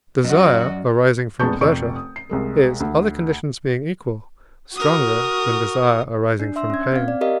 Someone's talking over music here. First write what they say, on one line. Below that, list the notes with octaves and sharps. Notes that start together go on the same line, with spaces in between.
Desire arising from pleasure is, other conditions being equal, stronger than desire arising from pain.
F#2 F#4 D5 D#5
F1 G#3 B3 A5 C#6 G6
F1 D5 C#6 D7
D#6
C7
C2 G#3 A#4
D2
F#4 A#4 D#6
D4
E5 C6 E6
C#4 G#6
C4 F5
D5
G4 A#4 D#5 F5